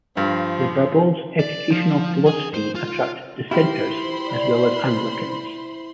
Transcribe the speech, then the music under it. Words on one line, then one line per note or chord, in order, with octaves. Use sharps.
The Barbaulds' educational philosophy attracted Dissenters as well as Anglicans.
G2 F3
D5
F3
G#4
C5
F4
E4 F4 G4 C5 B5 C6
D5